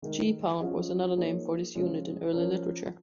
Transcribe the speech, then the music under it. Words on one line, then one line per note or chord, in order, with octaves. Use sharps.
"Geepound" was another name for this unit in early literature.
D#3 G#3 D#4 A#4
F3 C#4 F4 G#4 D#5
F3 A#3 D#4 G#4 C#5
C#3 F3 G#3 F4 C#5
F3 C#4 A#4 C#5